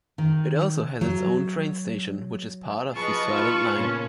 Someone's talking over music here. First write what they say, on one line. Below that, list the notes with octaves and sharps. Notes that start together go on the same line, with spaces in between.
It also has its own train station, which is part of the Sørland line.
D#3
F#3
F3 F#3 F4 G#4 B4 D#5 A5 C#6
D#4 F4 B4
A#2 C#3 B3 C#4